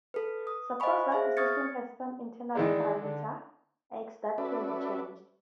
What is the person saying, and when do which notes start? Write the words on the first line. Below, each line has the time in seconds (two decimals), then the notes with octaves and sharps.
Suppose that the system has some external parameter, x, that can be changed.
0.14 A4 B4
0.47 D#6
0.80 C5 D#5 F5 G#5 B5 C#6
1.11 G#4 C5 E5 F5
1.37 C#6 D#6 F6 G#6 A6 C#7
2.55 D#3 E3 G#3 E4 G#4 D5
3.01 D3
4.38 C#4 F#4 A4 B4 D5 E5